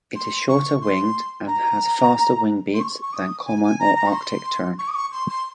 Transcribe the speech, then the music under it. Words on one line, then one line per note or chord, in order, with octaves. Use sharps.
It is shorter-winged and has faster wing beats than common or Arctic tern.
C6
C#6
C6
A#5
C6
C#6
C#6
D#6
G#5
G#5
A#5
A#5
C#6
C6
C#6
D#6
C#6
C6
C6